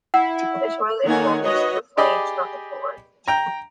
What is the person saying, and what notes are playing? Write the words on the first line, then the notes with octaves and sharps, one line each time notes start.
The toilet is bolted to the flange, not to the floor.
E4 F#5
D#3 A#3 A4 C#5 F#5 G#5
F#4 B4 C#5 D#5
G4 G#4 D5 D#5 B5
G5 A#5